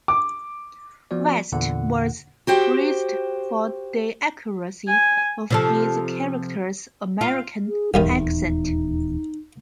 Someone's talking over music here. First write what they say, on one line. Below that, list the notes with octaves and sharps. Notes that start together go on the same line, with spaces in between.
West was praised for the accuracy of his character's American accent.
D6
F3 B3 F#4 D5
E2 A#2 D3 F#5
F#4 G4 C5 G5
G#5
C3 F3 A4
F4
G#4
D#1 B1 E2 G2 D#3 D#4